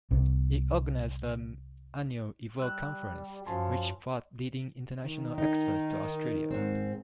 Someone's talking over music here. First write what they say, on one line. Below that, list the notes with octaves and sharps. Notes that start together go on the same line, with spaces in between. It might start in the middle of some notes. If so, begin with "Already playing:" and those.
It organised the annual Evolve Conference, which brought leading international experts to Australia.
C2 C3
G3 E6 F#6
F#2 F3 G#5 A5 C6
D#3
D#4
G#2 C4